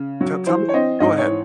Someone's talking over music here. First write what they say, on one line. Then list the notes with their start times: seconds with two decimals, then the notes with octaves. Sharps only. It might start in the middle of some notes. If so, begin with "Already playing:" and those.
Te tell me go ahead.
Already playing: C#3
0.21 F#3
0.47 E3 C5
0.69 C#5
0.74 C4 D#5
1.00 G#2 D#5
1.18 C#5
1.27 E3